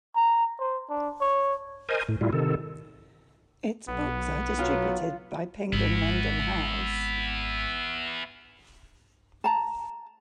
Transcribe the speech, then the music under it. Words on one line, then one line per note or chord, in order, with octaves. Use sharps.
Its books are distributed by Penguin Random House.
A#5
C5
D4
C#5
A#4 C5 D#5 G#5
A2
A2 G3 E4 F4
C3 D#3 A4
B1 B3
F#3 F4
G#1 B3 E4
A5 A#5